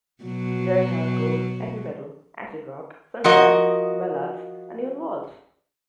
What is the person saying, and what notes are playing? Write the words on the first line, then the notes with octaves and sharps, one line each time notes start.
There's hardcore, heavy metal, acid rock, some jazz, ballads and even a waltz.
B2 F#3
F3 F#4 A#4 D#5